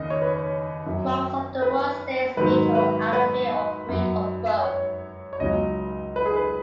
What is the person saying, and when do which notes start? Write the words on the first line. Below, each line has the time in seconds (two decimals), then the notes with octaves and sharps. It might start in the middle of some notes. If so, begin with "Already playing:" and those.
Most of the world stays neutral out of fear or greed or both.
Already playing: D#2 C#3 D#5
0.10 C#5
0.22 B4
0.33 C#5
0.86 F#2 F#3
1.62 B4
2.37 G#2 D#3 F#3 B4
2.75 B4
3.13 B4
3.89 F#2 F#3
4.64 C#5
5.33 C#5
5.40 C#2 C#3 F#3 D#5
6.16 B4
6.26 G#4
6.36 B4